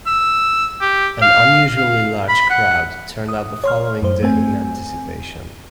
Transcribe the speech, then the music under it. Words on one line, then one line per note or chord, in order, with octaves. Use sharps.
An unusually large crowd turned out the following day in anticipation.
E6
G4
F5
F5
B5
F#5
D#6
C#5 C6 F6
F#2 C5
A3 C4 G#5